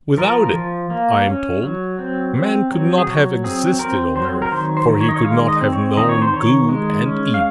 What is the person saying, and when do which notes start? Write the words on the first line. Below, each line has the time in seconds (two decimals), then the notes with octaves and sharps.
Without it, I am told, man could not have existed on earth, for he could not have known good and evil.
0.18 F3 A#4
0.55 F3
0.90 A#3
1.26 C#4
1.63 F#3
1.99 C4
2.35 C4
2.71 F#3
2.98 G#4
3.07 F#3 F#4
3.44 C4 G#4
3.79 C4 A#4
4.16 F#3 C5
4.42 A#4
4.52 D#3 C5
4.77 C5
4.89 D#3
5.01 C#5
5.09 D#5
5.16 C#5
5.24 G#3 F5
5.48 D#5
5.61 C4
5.73 C#5
5.97 D#3 D#5
6.09 C#5
6.22 C5
6.33 D#3 C#5
6.69 G#3
7.06 C#4
7.34 F5